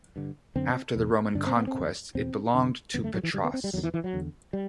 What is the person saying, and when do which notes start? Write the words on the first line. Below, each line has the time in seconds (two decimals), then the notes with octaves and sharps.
After the Roman conquest, it belonged to Patras.
0.16 G2 D3
0.56 F#2 D3 C4
0.96 E2 B2
1.35 G2 D3 D4
1.46 C4
1.57 B3
1.67 C4
1.74 B2
1.79 E2
2.15 E2 B2 C4
2.54 F#2 D3
2.94 F#2 D3 B3
3.04 A3
3.14 F#3
3.23 E3
3.33 D3 G3
3.37 G2
3.44 B3
3.54 C4
3.64 G3
3.74 E2 D3 F#3
3.83 E3
3.94 E3
4.04 F#3
4.13 E2 D3
4.53 G3